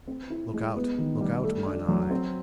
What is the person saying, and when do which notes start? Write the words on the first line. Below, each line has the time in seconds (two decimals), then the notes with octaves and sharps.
Look out, look out, mine eye!
0.08 C4
0.30 E4
0.54 G#3
0.76 B3
0.98 D#3
1.21 G3
1.44 A3
1.66 D4
1.88 F#3
2.11 C4